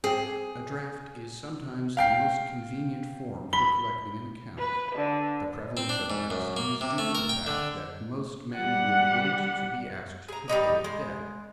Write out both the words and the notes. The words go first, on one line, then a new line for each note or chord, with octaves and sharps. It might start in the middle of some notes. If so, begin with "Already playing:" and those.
A draft is sometimes the most convenient form for collecting an account. The prevalence of the custom is due to the fact that most men will wait to be asked to pay a debt.
C4 G4 G#4
F5 G5 C7
B5 G7
B4
D3
C4
D4
G#2
F#2
A#3
C3
A3
A#4
G5
D3
G3 F#5
G#4 A#5
G3 G#3 D#4 D5
G#3